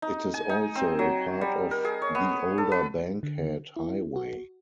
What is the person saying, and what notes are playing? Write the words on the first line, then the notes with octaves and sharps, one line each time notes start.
It is also a part of the older Bankhead Highway.
D#4
G#5
D#4
C4
F#3
G3
A#4
G#4
C#5
B3
A4
B4
D3
E4
F#4